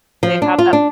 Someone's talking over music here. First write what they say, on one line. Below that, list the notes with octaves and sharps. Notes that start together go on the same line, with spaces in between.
they have that
F3
D4
F4
D4